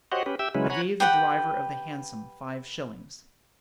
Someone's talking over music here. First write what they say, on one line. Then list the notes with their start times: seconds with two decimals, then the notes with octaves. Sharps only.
I gave the driver of the Hansom five shillings.
0.12 F#4 G4 C5 C#5 D#5 F#5
0.26 C#4 G4 B4
0.39 G4 E5 G5 E6
0.55 C#3 F#3 G#3 C#4 E4 B4
0.70 C#5 F#5 G#5 A#5 B5
1.00 G4 B4 F#5 G5